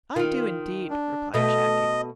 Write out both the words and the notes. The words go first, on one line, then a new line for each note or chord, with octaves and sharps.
"I do, indeed," replied Shaggy.
D#3 F4
D4
B2 A3 D#5